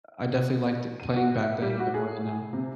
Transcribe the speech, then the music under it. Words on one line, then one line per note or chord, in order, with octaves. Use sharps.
I definitely liked it playing back then a bit more than now.
D#7
F#4
E5
G3
F#4
G#4
C3